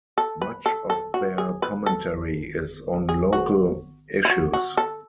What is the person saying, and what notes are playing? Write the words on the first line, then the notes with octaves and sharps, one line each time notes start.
Much of their commentary is on local issues.
A4
B4
A4
A4
F#4
G#4
B4
A4
G#4
F#4
E4
F#4
F#4
A4